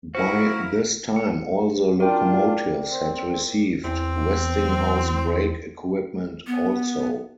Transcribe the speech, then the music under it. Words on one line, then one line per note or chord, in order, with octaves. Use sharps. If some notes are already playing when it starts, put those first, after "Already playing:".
By this time all the locomotives had received Westinghouse brake equipment also.
E4 F#4 A#4 C5 F5
C#7
D4 F4 A#4 D5 G5
C4
E2 C4
B3